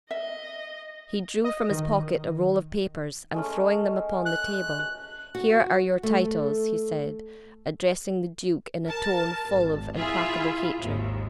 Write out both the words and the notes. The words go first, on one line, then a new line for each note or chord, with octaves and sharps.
He drew from his pocket a roll of papers, and throwing them upon the table: "Here are your titles," he said, addressing the duke in a tone full of implacable hatred.
D#5 E5
D#5
D#3
G#3 A3 C#4
F#6
F#4
A3
A#4 A5
G#1
E4 F4 G#4 E5
G#1 D#2